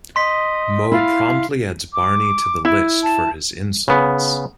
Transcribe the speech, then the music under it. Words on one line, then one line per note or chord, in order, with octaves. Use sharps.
Moe promptly adds Barney to the list for his insolence.
D#5 C6 B6
E4 F5
D6
E4
A5
C#3 B3